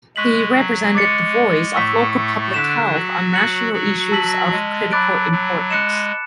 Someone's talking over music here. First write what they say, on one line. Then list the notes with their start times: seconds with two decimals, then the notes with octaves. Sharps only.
He represented the voice of local public health on national issues of critical importance.
0.16 G#3 C#6 F#6 B6 F#7
0.56 F#3
0.95 G#3 D6 A6 C#7
1.74 A2 A3 C#6 E6 B6
2.54 D3 D4 F#6 B6 E7
2.93 F#3 F#4
3.33 F#6 C#7 F#7
3.73 F#3 F#4
4.12 A5 E6 B6 F#7
4.52 G#3
4.91 F#3 B5 D6 F#6 A6 D7
5.32 F#3
5.70 G#3 F#6 C#7 E7